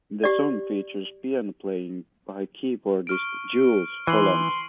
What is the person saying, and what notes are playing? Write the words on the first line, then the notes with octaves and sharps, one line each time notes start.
The song features piano playing by keyboardist Jools Holland.
G4 D5
C#6 F6 D7
E3 C6 D#7 F#7